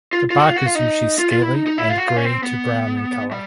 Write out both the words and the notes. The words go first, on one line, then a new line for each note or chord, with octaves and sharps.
The bark is usually scaly and grey to brown in colour.
F4
F4
F#4
F4
F#4
F4
D#4
F4
F4
E4
D#4
D#4
E4
F4
F#4
F4
C#4
C4
B3
G3